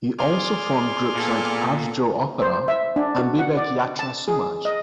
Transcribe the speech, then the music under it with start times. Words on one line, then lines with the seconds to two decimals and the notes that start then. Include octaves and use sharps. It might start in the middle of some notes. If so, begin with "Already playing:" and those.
He also formed groups like "Arjo Opera" and "Bibek Yatra Samaj".
0.19 G#4 D5 C6 F6
1.15 A#2 B3 A4
2.42 C5
2.68 E5
2.96 D4
3.18 F#4
3.39 F#5
3.57 D5
3.99 A5
4.28 G#4
4.65 D#5